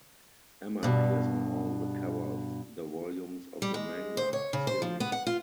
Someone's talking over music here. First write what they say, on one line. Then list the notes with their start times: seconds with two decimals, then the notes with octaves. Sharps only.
Emma appears on all the cover of the volumes of the manga series.
0.83 G2 B2
3.62 G3
3.74 G#3
4.17 C5
4.33 C#5
4.53 C#3
4.67 C5
4.82 F3
5.00 B3
5.12 F#5
5.27 F4